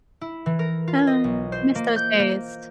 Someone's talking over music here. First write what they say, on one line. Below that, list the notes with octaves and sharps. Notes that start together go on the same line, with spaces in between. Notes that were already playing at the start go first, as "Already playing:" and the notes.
Um, miss those days.
E4
E3
A#4
F4
D#5
B1
C5
A#3
G6
A#3